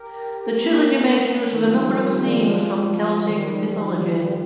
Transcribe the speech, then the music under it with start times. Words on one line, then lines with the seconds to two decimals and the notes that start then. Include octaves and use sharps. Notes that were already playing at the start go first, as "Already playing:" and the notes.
The trilogy makes use of a number of themes from Celtic mythology.
Already playing: G4 A#4
0.64 A#3 C#4
1.52 D#3
1.63 F3
1.74 D#3 G3
1.86 G#3 C4
1.96 G3 A#3
2.11 G#3 C4
2.25 G3 A#3
2.40 F3 G#3
3.18 G#3
3.28 D#3 G3
3.72 F3